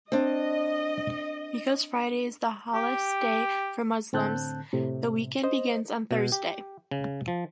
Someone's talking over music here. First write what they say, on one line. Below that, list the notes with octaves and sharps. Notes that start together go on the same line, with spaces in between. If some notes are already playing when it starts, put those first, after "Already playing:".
Because Friday is the holiest day for Muslims, the weekend begins on Thursday.
C4 D4 D#5
G4
A2 D3 C4 A5 F#6 G6
A2 C3
C5 D#5
B2
G4
C#3
F3